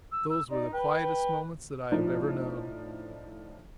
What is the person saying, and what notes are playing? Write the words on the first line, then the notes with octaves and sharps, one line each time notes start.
Those were the quietest moments that I have ever known.
E6
E6
D#4 D5
B4 G5
A2 F3 D4 D#4